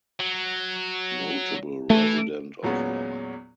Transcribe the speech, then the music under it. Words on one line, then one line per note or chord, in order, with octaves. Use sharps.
Notable resident of Lemmer.
F#3
E3 A3
E2 A#2 F#3 G#3 B3 C#4